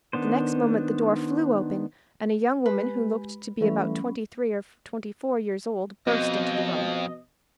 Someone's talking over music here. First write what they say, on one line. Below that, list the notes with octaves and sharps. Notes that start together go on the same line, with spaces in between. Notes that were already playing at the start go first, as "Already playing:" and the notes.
The next moment the door flew open and a young woman, who looked to be about twenty-three or twenty-four years old, burst into the room.
D#3 B3 D4 C5
G#3 G4 B4
E3 F#3 G3 A3 C#4 B5
F2 B2 D#5